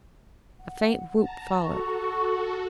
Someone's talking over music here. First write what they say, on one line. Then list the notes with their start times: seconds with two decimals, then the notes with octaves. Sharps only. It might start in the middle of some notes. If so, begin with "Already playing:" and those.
A faint whoop followed.
0.60 F#5
1.18 F#5 A5 A#5
1.64 F#4 A4 C#6